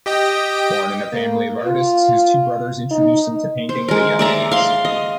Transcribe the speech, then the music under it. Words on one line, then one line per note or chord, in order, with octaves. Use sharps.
Born in a family of artists, his two brothers introduce him to painting at a young age.
G4 D#5 G5
A#3
F4
D#4
C5
G#3 A#4
D5 E5 A#5
F5 C6
D#5